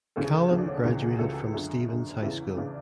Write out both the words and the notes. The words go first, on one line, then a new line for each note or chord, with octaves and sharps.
Callum graduated from Stevens High School.
D2 C#3 E3 A4
G#4
A4
G#4
D2 C#3 E3 F#4
D4
C#4
D4
C#2 C#3 E3 F#4
G#4
C#2 C#3 E3 A4
F#2 D3 G#4
F#2
D3
E2 C#3 E3 E4
C#3 E3 D4